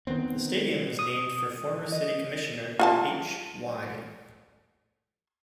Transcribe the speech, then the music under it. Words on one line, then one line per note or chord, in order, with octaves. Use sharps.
The stadium was named for former city commissioner H. Y.
D#3 B3 C4
D#6
D#5
F4 F#5 A5